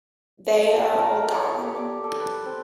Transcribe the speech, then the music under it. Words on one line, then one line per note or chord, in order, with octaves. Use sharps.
They are all gone.
A5
A#4
A4
C#5
G4
D5
A4
B4
C4